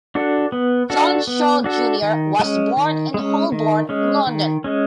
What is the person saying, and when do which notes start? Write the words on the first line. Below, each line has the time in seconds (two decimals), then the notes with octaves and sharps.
John Shaw Junior was born in Holborn, London.
0.15 D4 F#4 A4
0.52 B3
0.90 D4 F#4 A4
1.27 B3
1.64 D4 F#4 A4
2.02 D#3
2.39 G#3 C#4
2.77 D#3
3.14 G#3 C#4
3.52 D#3
3.89 G#3 C#4
4.27 D#3
4.64 G#3 C#4